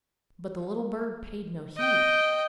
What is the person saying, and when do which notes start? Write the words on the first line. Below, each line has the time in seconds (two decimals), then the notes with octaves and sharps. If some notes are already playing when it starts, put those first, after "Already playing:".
But the little bird paid no heed.
1.76 D#5 G5